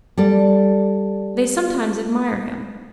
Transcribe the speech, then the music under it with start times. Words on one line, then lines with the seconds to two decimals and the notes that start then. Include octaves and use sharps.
They sometimes admire him.
0.18 G3 A4 D5